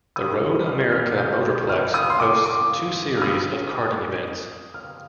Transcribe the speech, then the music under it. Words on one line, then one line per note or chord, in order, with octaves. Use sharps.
The Road America Motorplex hosts two series of karting events.
D#6
F6
F6
G6
F6
D#6
C6
D6
D6
F6
D#6
F6